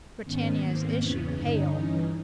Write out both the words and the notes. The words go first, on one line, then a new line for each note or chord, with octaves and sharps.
Britannia's issue, hail!
G#2 D#3 B3 C#4
G#2 D#3 A#3 C4
E2 C#3 E3 B3 C#4
G2 D3 C#4 D#4
G2 E3